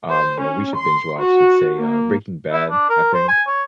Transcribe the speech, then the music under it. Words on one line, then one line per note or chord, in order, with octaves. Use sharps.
um or we should binge watch, let's say, uh, Breaking Bad, I think.
C5
C#4
C6
F#4
A#3
E4
D4
A#4
C5
G#5
C#5